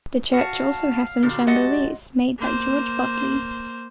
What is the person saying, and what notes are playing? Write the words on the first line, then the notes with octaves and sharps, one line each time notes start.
The church also has some chandeliers made by George Bodley.
F#4 F5 A5
A#2 D3 F#4 G4
G#3 D#5 F#5 A5
A#3 C5